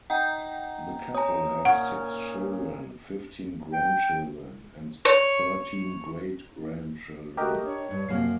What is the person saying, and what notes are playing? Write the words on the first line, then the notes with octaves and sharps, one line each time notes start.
The couple have six children, fifteen grandchildren, and thirteen great-grandchildren.
D#4 F#5 G5
C#5 G#5 A#5 D#6
A#2 C#4 F#5
G5
C#5
A3 F#4 G4 A#4 D#5
D4 C#5
G2 G3
F#2 C3 F3 A#3 C7